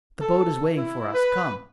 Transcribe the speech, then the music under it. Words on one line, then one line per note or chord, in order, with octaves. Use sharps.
"The boat is waiting for us; come."
A4
E4
B4